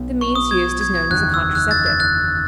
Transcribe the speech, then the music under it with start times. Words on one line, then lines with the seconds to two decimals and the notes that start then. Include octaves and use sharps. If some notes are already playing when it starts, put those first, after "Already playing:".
The means used is known as a contraceptive.
Already playing: B1 B2 B3
0.21 C#6
0.35 D#6
0.51 G#6
0.81 G#6
0.95 G#6
1.10 F#1 E2 D#3 F#6
1.34 E6
1.55 F#6
1.71 A6
1.86 A6
2.00 F#6